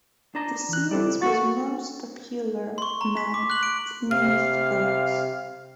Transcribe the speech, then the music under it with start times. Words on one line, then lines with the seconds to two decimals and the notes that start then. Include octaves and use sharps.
The series was most popular among teenaged girls.
0.35 D4 A5 A#5
0.69 E3 F#6
0.91 C#2 G3 C4 A4 D5
1.22 A#3 F#4 A4 A6
2.78 C6 C#6
3.01 A#5
3.17 B6
3.34 D6
3.50 F#6 F#7
3.63 D7
4.11 C3 F5 F6